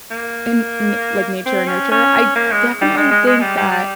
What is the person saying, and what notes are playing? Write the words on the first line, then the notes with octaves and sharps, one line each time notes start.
And n like nature and nurture, I I definitely think that
A#3
C4
C#4
C#4
A#3
G#3
G3
G#3
G#3
G#3
G3
G3
G3